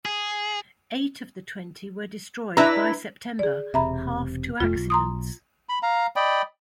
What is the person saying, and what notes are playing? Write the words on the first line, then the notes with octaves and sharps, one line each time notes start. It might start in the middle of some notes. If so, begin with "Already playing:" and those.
Eight of the twenty were destroyed by September, half to accidents.
G#4
D4 E4 B4 E5 A#5
G#4 D5
E1 C3 E5 A#5 B5
F1 F2 A3 F4
B1
A#5 C6 D#6
B5
F5 A#5
D5 D#5 G5 B5